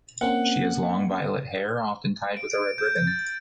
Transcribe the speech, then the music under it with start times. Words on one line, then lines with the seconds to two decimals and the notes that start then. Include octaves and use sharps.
She has long, violet hair, often tied with a red ribbon.
0.21 A#3 C4 C#4 F#5
2.37 D7
2.52 D7
2.78 G6
3.07 A6